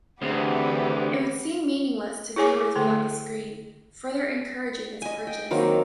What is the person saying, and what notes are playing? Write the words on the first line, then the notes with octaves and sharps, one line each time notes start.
It would seem meaningless to viewers without the screen, further encouraging its purchase.
D2 E3 B3 C4 G4 G#4 C5
E4 G#4 C#5 G#5 D6
D3 A3 A4
D#5 G#5
G5
D#3 F#3 A#3 C4